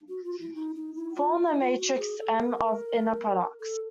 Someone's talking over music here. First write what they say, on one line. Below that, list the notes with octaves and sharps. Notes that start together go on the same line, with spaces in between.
Form the matrix "M" of inner products.
F#4
F4
E4
D#4
D#4
E4
F4
F4
E4
F4
F#4
G#4
A4
A#4
A4